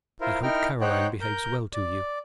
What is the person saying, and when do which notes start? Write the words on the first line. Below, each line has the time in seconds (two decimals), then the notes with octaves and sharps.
I hope Caroline behaves well to you.
0.21 E4 F4 A#4 C5
0.43 D#4 E4 A#4 G5 F6
0.81 D#4 C5 C#5 F#5 G5 F#6
1.21 A#4 G6
1.74 D5